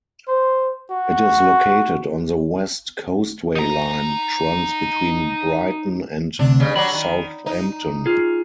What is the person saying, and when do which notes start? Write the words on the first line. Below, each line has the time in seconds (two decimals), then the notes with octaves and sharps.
It is located on the West Coastway Line which runs between Brighton and Southampton.
0.28 C5
0.91 F#4
3.55 D#4 A#5
6.39 D2 C3 D4
6.60 G2 C#3
6.76 F#3 G3 D4 B5
6.92 D#3
7.46 D#4
8.06 F4 G#4